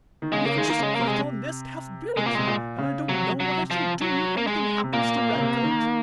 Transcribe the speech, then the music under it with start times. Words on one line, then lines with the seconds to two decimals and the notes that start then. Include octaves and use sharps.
We've just got our nest half built, and I don't know what I shall do if anything happens to Redcoat.
0.22 D#3
0.33 C#3 G#3
0.45 C#3 A#3
0.55 D#3 G#3
0.70 A#3
0.79 C#3 G#3
0.95 A#3
1.01 C3
1.07 G#3
2.17 C3 G#3
2.26 A#2 A#3
2.35 C3 G#3
2.47 A#2
2.78 C#3
3.09 C3 F#3
3.40 F#3
3.71 F3
4.01 F#3
4.37 A#3
4.47 G#3
4.83 C3
4.93 A#2 A#3
5.17 A#2
5.33 C#3
5.40 C3
5.63 D#3